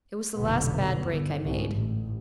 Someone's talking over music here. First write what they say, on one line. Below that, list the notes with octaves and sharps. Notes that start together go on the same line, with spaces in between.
It was the last bad break I made.
F1 B1 A#2 D3 B3
G1 D2 D3
C2 G#2
A1